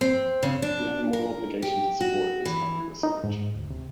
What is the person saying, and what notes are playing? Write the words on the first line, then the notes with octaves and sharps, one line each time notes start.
We have a moral obligation to support this kind of research.
C4
C#3
D4
A#4
G4
F#4
E3
D#4
G#2
D2
C3